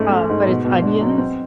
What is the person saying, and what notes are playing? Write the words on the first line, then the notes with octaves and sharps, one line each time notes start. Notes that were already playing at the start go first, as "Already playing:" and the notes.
uh, but it's onions.
Already playing: G#2 A3 C#4
A3
G#2
B2
B2
D4
F#3
C4